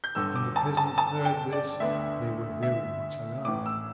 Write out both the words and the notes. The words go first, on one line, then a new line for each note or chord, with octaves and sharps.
When the peasants heard this they were very much alarmed.
G6
G1 G2 D3 E6
D6
A5
A5
A5
G5
D5
D2 D3 B3 D4 E5
E5
A1 A2 E3 D6
E6